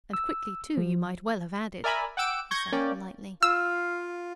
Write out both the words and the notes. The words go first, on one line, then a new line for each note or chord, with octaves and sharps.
"And quickly, too, you might well have added," he said, lightly.
E6
F3
A#4 D5 E5 G#5 A#5 B5
F#5 G5 D6 E6 D7
C#6 G6 G#6 A#6 C#7
A#3 C#4 D5 G5
F4 F5 E6